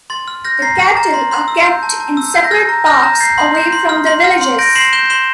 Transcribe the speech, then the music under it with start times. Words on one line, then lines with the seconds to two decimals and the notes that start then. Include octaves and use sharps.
The cattle are kept in separate parks away from the villages.
0.10 C6 A6
0.28 F6
0.45 F6 G6 A#6
0.62 A#5 A6 C7
0.79 F6 A6
0.97 A#5 A6
1.14 C6
1.31 C6
1.48 E6
1.65 G6
1.83 A5
2.00 A5
2.17 E6
2.34 G6
2.44 A#6
2.51 F6 A6
2.69 A#5
2.86 F6 G6 A#6
3.03 A#5
3.20 G6 A6 C7
3.38 C6
3.55 G6
3.72 C6
3.89 F6
4.07 C6
4.24 F6
4.41 C6
4.59 G6 A#6 D7
4.76 C6 C7 E7
4.93 G6 E7 G7
5.10 C6 E7 G7